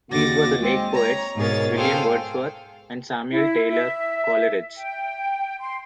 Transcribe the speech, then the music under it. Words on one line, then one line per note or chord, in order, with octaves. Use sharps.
These were the Lake Poets William Wordsworth and Samuel Taylor Coleridge.
D#2 F#4 D6 A6 A#6
G#3 C4
C#5 A#5
G#2 B2 G#4 A#4 C#5 A6
G#4 A4 C5 F5 G5
E4
E5
G5
C6